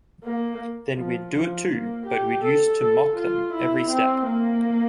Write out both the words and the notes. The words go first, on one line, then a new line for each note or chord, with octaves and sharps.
Then we'd do it too, but we used to mock 'em every step.
A#3
F3
F3
A#3
G4
A4
A4
F4
E4
C4
A#3